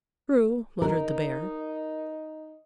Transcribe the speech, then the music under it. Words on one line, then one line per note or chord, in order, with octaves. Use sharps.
"True," muttered the Bear.
D#4 A#4